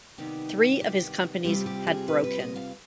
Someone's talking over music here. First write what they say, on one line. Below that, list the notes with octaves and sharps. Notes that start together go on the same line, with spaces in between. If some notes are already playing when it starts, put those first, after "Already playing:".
Three of his companies had broken.
C3 D#3 G3 B3 D#4 G4
G4
C3 G3 C4 F4 G4
G4
G#4
B4
B4
D#5
F5